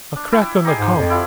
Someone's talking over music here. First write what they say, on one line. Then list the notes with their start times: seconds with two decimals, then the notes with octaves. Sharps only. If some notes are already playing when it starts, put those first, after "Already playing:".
A crack on the conk.
0.16 D4
0.32 E4 G5
0.65 D#4 G4 G#4
0.78 G#2
0.97 F2
1.10 F3 E4